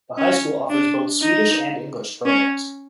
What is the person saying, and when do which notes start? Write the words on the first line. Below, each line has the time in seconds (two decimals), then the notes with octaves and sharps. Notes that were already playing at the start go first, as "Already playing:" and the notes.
The high school offers both Swedish and English programs.
0.18 C#4
0.70 D4
1.22 D#4
2.26 C#4